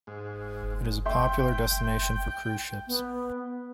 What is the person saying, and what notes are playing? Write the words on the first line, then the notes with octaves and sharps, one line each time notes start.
It is a popular destination for cruise ships.
G#2
E5 G5 C6
B3